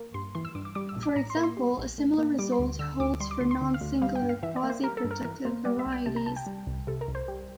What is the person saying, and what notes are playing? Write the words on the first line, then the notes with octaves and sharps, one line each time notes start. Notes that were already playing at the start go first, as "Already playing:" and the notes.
For example, a similar result holds for non-singular quasi-projective varieties.
Already playing: A#3
G2 C6
E3 C6
E6
G2 D6
D6
G3 D6
E6
A#1
D6
A2 A#5
C6
A#3
C6
G3
A#1
A2
A#3
G3 D6
C6
D2
D3 E6
D2 D6
G3 C6
D6
D2 C6
C6
D3
F5
D2
G3 F5
G5
G2
F5
E3 E5
D5
A#3
C5
G3 A#4
A4
G2
A#4
E3 A#4
A#3 C5
G3 D5
E5
C2
G5
C3 A5
A#5
C2 A5
G5
G3
C2
C3 A4
A#4
C2
C5
G3